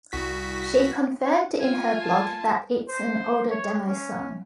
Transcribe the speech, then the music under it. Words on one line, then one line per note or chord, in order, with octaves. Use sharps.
She confirmed in her blog that it's an older demo song.
C2 F#4 B6
F4 G#5
A5
C5
C#5
C#4